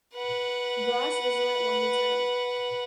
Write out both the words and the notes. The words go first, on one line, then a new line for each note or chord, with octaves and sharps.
Gros Islet won the tournament.
B4 F#5